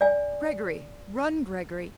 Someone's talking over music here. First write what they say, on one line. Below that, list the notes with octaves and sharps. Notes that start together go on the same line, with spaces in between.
Gregory! run, Gregory!
D5 G#5